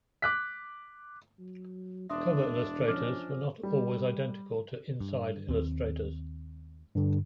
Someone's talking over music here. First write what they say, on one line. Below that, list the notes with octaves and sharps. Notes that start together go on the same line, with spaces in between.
Cover illustrators were not always identical to inside illustrators.
D6 F#6 B6
F#3
E1 D4 E5 C6 D#6
F3 C#4 D#5 D6 F6
G3
G2
D#2 C4
G2 D3